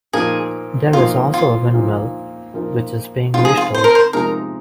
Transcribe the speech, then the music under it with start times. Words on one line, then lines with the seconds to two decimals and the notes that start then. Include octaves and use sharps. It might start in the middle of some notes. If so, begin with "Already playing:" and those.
There is also a windmill, which is being restored.
0.13 A#2 F3 A#3 D#4 G#4 A#4
0.93 A#2 F3 A#3 D#4 F4 A#4
1.34 F4
1.74 A#2 F3 A#3 D#4 A#4
2.54 A#2 F3 A#3 D#4 A#4
3.34 C3 F3 G#3 D#4 F4
3.45 G#4
3.57 F4
3.74 C5
3.84 A#4
3.95 C5
4.13 C3 F3 G#3 D#4 A#4